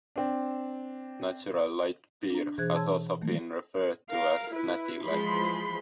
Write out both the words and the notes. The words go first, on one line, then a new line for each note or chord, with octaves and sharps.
Natural Light Beer has also been referred to as Natty Light.
C4 D4
D4 A#5
B2 E3 G#4 C5 F#6 G#6
C#5 A5 C6 E6 G#6
D#3 E3 F#3 A3 A#3
A#4 F5
E4 B4
E3 F3 G#3 B5 C6